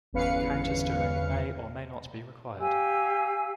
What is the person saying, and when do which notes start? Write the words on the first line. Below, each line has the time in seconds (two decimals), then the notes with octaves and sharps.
Countersteering may or may not be required.
0.13 G1 E2 C#4 B4 F5 C#7
2.60 G4 F5 G#5 E6